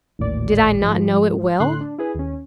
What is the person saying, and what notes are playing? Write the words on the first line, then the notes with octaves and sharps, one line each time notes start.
Did I not know it well?
A1 D#2 A#2 D5
G#2 F3 G#3
A2 D3 C6 F#6
D4
E4 G#4 B4
D#2 C#4